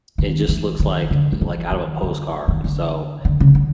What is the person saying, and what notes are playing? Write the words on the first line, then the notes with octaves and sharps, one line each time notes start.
it just looks like like out of a postcard, so
D#3
E3
D#3
D3
D#3
E3
D#3
D3
D#3
D3
D3
C#3
D3